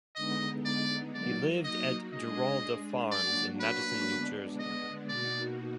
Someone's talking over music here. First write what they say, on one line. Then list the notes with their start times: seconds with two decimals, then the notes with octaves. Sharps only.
He lived at Giralda Farms in Madison, New Jersey.
0.15 D3 G#3 B3 D#4 D#5
0.65 D5
1.14 F#3 A#3 D#4 F#4 D5
1.64 D#5
2.13 G#3 D4 G#4 D#5
3.12 F#3 A#3 D4 F#4 D5
3.61 B4
4.10 D3 G#3 B3 D4
4.60 D#5
5.09 B2 A#3 D#4 F#4 D5